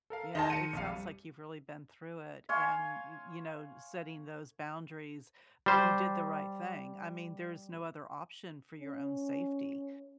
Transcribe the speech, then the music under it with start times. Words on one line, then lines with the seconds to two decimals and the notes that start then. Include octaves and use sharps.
Yeah, it sounds like you've really been through it, and, y you know, setting those boundaries, but you did the right thing, I mean, there's no other option for your own safety.
0.10 A4 A#4 F5
0.35 D#3 D#4 G#4 A5 C6
0.50 C#7 D#7
0.73 A#1 F2 F5
0.88 G3
2.49 C#5 F5 G#5 C6
5.66 G3 C5
8.81 C#4